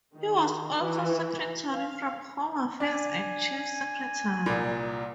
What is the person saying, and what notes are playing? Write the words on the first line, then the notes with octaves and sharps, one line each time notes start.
He was also Secretary for Home Affairs and Chief Secretary.
D#3
E3
F5
D4 G#5
C2 A#2